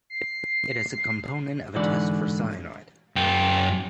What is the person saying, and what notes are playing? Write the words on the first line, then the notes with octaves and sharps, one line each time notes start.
It is a component of a test for cyanide.
C7
G#2 D3 E3 F#4 D5
F#2 G5